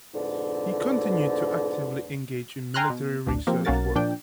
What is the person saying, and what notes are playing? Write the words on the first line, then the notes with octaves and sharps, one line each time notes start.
He continued to actively engage in military research work.
F2 G#2 B2 D3
G5 G#5 A#5 C6 F6 F#6
B2
A1 D2 D4
F3 A#3 C4 G4
B1 A#3 C#4 F#4 A#4 A6
A#2 F3 D4 D5 G5